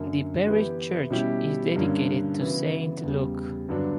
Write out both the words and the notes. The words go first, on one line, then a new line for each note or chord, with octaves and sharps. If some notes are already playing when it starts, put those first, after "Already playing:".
The parish church is dedicated to Saint Luke.
Already playing: F#2 D3 A#3
E3 B3 E4 G4
B2 G3 C#4 E4 G4
G2 D3 A#3 C#4
C#3 E3 B3 F#4
E2 C#3 G3
G2 D3 F#3 B3 D4